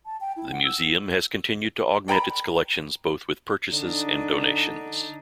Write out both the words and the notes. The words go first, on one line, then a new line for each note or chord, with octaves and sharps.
The museum has continued to augment its collections both with purchases and donations.
A5
G5
E4
F#5
E6
A4 G5 A#5 B5
D3 D4 D#4